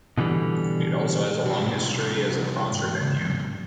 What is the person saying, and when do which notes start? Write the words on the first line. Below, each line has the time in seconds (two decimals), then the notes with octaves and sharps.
It also has a long history as a concert venue.
0.18 B2 D3 E3 G3
1.44 C2 F3
2.72 E2 G#2